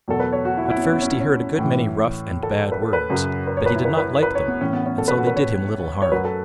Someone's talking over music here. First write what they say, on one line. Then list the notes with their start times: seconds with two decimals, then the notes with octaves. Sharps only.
At first, he heard a good many rough and bad words; but he did not like them, and so they did him little harm.
0.08 E2 B2 F#3 A4
0.20 B4
0.32 C#5
0.45 F#4
0.58 E4
0.65 F#4
0.70 E4
0.77 B3
0.83 C#4
0.92 B3
1.02 C#4
1.11 B3
1.20 C#4
1.58 A2 E3
2.43 A4
2.72 B4
2.82 A4
2.93 B4
3.10 F#2 C#3 F#3
3.47 B4
3.57 C#5
3.66 B4
3.76 E4
3.85 B4
3.97 B4
4.23 B4
4.35 C#5
4.48 B3
4.61 A2 E3 C#4
4.73 B3
4.86 C#4
4.98 A4
5.08 B4
5.18 F#4
5.27 B4
5.36 C#5
6.02 C#5
6.12 F#2 F#3 B4
6.25 A4